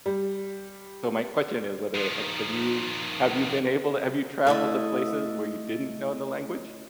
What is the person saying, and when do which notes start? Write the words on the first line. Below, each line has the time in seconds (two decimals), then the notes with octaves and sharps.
So, my question is whether like, have you have you been able to have you traveled to places where you didn't know the language?
0.06 G3
1.96 D#3 F3
4.47 A3 E4 D#5